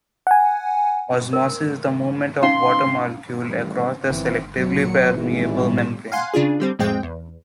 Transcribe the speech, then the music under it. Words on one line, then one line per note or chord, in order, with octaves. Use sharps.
Osmosis is the movement of water molecules across a selectively permeable membrane.
F#5 G#5
A#4
C#4 D#4 F5 C6
A1 G2 D#3
G1 D#3 E3 C4
A#2 F#3 C#7
G#1 A2 E3 G3
F5 F#5 G#5 C6
C#3 D4 F4 G#4
D3 G3 C4
B1 F2 A2 G#3 C4 G5
E2